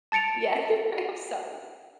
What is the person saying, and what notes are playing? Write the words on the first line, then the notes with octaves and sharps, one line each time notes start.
Yeah, you're right, I'm sorry.
A5 A6 C#7 D7 F7